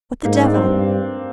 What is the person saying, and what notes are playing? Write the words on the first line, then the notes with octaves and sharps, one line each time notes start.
What the devil!
G#2 A#3
C4
D4
C4
G2